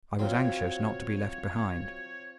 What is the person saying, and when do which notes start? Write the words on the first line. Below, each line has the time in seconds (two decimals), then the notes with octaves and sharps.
I was anxious not to be left behind.
0.19 F#3 C4 F4 C#5